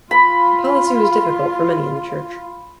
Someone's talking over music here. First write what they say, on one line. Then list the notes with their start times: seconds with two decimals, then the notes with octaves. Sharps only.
The policy was difficult for many in the church.
0.11 F4 B5